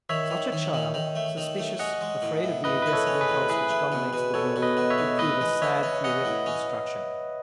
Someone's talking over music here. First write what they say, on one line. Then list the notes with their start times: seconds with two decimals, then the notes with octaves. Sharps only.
Such a child, suspicious, afraid of the aggressive impulse which dominates the world, would prove a sad theoretic construction.
0.09 D#3 C#5 E5
0.30 D#3
0.52 D#3
0.73 D#3
0.94 D#3
1.15 A3
1.37 D#3
1.58 A3
1.79 C#4 D#5 F#5
2.01 G#3
2.22 A2
2.43 A2
2.64 A2 B4 D#5
2.82 E4 B4
2.93 A4 C#5
3.07 C#4
3.21 G#4 B4
3.28 A2
3.49 E4 G#4 B4
3.70 A3
3.92 B2
4.13 B2
4.34 B2 A4 C#5
4.56 B2
4.62 B4 D#5
4.77 B2
4.90 C#5 E5
4.98 B2
5.19 A2 B4 D#5
5.41 G#3
5.62 C#4 C#5 E5
5.83 C#4
6.04 C#4 D#5 F#5
6.25 A2
6.46 C#4